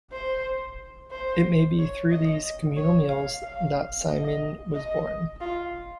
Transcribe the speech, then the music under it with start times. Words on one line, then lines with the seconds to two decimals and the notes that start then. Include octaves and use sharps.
It may be through these communal meals that saimin was born.
0.12 C5
1.11 C5
1.78 C#5
2.11 D#5
2.77 C#5
3.09 F5
3.43 F5
4.08 D#5
4.75 D#5
5.41 F4